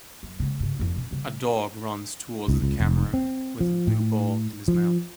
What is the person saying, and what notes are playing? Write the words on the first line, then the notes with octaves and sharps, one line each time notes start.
A dog runs towards the camera with a blue ball in his mouth.
F#2
C#3 G#3
G2 C#3
F2 E4
B2 C#4
C#3 G3
C#2
C#2
F1
C4
F3
A2
F3